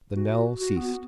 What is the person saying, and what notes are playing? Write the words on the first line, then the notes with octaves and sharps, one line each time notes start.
The knell ceased.
F#4
F#4
B3